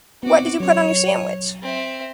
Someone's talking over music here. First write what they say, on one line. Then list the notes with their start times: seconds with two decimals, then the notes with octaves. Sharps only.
What did you put on your sandwich?
0.23 B3 C4 F#4 D6
0.60 F#3 C#4 C#5
1.62 C4 E5